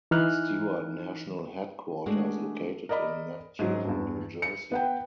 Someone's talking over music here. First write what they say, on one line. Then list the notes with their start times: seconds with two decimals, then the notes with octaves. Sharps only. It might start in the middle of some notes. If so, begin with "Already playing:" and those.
Stewart National Headquarters, located in Neptune, New Jersey.
0.11 E3 D#4 F6 F#6
2.06 G#3 A3 D4 F#4 G#4 F#5
2.89 A#4 D5 D#5 B5
3.59 G#2 F#3
3.85 E2 G2
4.42 C#7
4.72 B3 F#5 G5